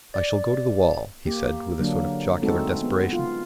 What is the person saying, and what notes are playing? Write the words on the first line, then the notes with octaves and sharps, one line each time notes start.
"I shall go to the wall," he said, with a sort of jocular desperation.
D5
A#3 G4
D3 F#3 A#3 D4
G#3 A3 C4 D#4 F#4 A4
B3
F4